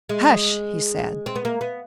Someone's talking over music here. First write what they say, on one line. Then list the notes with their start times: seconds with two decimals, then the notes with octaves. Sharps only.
"Hush!" he said.
0.09 G#3
1.26 C4
1.35 B3
1.45 A#3
1.61 B3